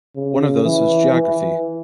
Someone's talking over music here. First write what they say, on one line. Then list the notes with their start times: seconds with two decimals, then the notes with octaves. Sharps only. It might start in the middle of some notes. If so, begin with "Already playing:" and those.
One of those was geography.
0.16 C#3
0.64 E3
1.13 E3